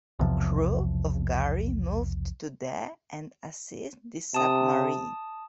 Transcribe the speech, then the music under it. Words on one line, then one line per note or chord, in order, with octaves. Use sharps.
The crew of "Gari" moved to the and assist the submarine.
B1 E2 C3 F3
C3 A5 D#6